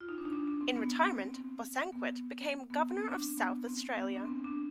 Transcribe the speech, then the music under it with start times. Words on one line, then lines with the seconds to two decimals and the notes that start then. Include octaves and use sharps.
In retirement Bosanquet became Governor of South Australia.
0.01 F4
0.09 D#4
0.18 D4
0.25 D#4
0.33 D4
0.48 D4
0.61 C4
0.76 B3
1.05 C4
1.34 C4
1.92 B3
2.70 B3
2.90 C4
3.08 D4
3.37 B3
3.67 C4
3.96 B3
4.15 D4
4.25 C4
4.44 D4